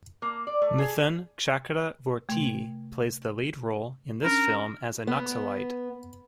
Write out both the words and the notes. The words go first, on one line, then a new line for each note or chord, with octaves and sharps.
Mithun Chakraborty plays the lead role in this film as a Naxalite.
A#3
D5
A3
G#4
C3 A3
C#4 D4 A#4
B3